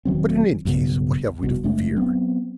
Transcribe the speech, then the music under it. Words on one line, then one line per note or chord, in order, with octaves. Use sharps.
But in any case what have we to fear?
E1 D#3 F#3 C4
B1 G2 C#3 B3
F1 C2 B2
F#1 G#3 A3 D4
F#3 B3 C4